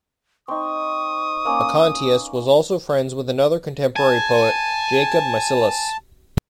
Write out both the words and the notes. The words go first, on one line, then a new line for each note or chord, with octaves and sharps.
Acontius was also friends with another contemporary poet, Jacob Micyllus.
C4 D#4 C#6 D#6
A#3 C#4
G#5 A5